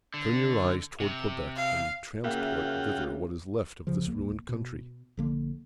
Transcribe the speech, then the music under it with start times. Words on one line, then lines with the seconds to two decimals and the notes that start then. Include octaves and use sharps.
Turn your eyes towards Quebec, and transport thither what is left of this ruined country.
0.14 D3
1.00 C3
1.56 F5
2.24 C#3 A#3 F4 F#4 E5 G5
3.87 D#1 C#3 F3
4.05 D1 C2 A#3
4.49 B2
5.17 A#1 D3 A#3